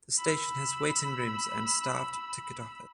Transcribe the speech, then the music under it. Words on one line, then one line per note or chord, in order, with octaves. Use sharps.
The station has waiting rooms and staffed ticket office.
B5 E6